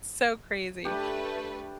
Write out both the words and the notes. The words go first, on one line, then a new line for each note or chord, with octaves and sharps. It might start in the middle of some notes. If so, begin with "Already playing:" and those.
It's so crazy.
A3 D4 G4 B4